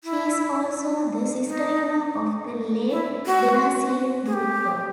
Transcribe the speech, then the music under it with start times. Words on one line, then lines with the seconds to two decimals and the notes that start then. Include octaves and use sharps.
She is also the sister-in-law of the late Benazir Bhutto.
0.04 E4
1.47 D#4
2.90 E4
3.26 F#4
4.26 G#4
4.34 G4